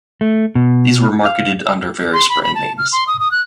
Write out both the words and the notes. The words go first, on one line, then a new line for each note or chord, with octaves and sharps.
These were marketed under various brand names.
A3
B2
F5
C6
B5
B5
A5
F6
C6
D#6
D#6
F#6